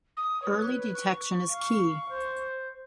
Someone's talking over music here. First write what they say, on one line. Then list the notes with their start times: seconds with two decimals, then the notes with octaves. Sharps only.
Early detection is key.
0.17 D#6
0.42 B4 C#5
0.94 C#6
1.48 F5
2.09 C5